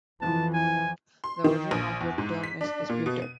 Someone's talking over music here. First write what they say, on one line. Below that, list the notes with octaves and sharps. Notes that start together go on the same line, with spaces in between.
The origin of the term is disputed.
F2 E3 F3 A5
G#5
C6
D#3
A#1
E2
G#2
B6
D4
A#2
B2
D#7